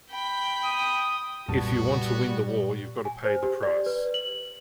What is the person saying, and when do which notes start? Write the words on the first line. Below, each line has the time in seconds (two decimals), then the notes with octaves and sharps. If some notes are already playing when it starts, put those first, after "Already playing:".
If you want to win the war, you've got to pay the price.
0.11 G5 B5
0.65 D#6
1.49 B1 F2 A#2 G3 B3 F#4 A5
3.05 G#5
3.24 C5
3.43 G4
3.63 D5
3.86 B4
4.14 F#7